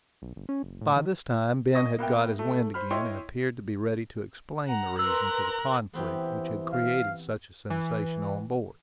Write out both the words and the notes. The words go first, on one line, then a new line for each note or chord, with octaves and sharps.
By this time Ben had got his wind again, and appeared to be ready to explain the reason for the conflict which had created such a sensation on board.
B1
G1
C#4
F#1
A2
D#3
D#5 C#6 D#6 A#6
A#3 B3 E5 G5
A3
C5 B5 F6
E4 C#5 D#5 G5 C6 C#6
F#5 A#5
A#4 B4 A#5 C6 E6 F#6
E3 B3 C4 G4
F5
E3